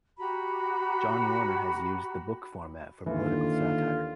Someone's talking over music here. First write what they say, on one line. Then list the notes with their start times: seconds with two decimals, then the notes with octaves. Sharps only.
John Warner has used the book format for political satire.
0.19 F#4 G4 A#5 B5
3.06 D#2 D3 E3 F4